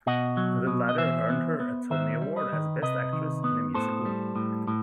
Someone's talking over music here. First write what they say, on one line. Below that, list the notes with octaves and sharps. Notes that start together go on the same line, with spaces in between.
The latter earned her a Tony Award as Best Actress in a Musical.
B2 D#5 F#5
F#3
B2
D#5
E3 C5 E5
B3
B3
D#3 C5 E5
G3
B4 D#5
D#3
C3 B4 D#5
D#3
B3
A2 A4 C5
G3
A2
A2